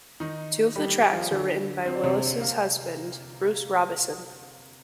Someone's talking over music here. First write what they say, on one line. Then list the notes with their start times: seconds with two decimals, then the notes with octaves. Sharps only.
Two of the tracks were written by Willis's husband Bruce Robison.
0.20 D#3 D#4
0.76 G3 G4
1.12 F3 F4
1.31 D3 D4
1.85 C4
1.95 D4
2.04 C3 C4
2.41 A#3